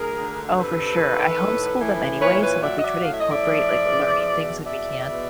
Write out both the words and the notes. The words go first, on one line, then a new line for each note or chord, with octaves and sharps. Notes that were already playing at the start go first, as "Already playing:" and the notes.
Oh, for sure. I homeschool them anyway, so, like, we try to incorporate, like, learning things when we can,
Already playing: D2 G#4 A#4
D3
C3 A4 B4
D#3
A2
E3
A#2 B4 C#5
B4 C#5
F#3 D5 E5
D#5
D5 E5
A2 F5
E5
D#5
D5 E5
F3
E2
B2
E2 D5 E5
B2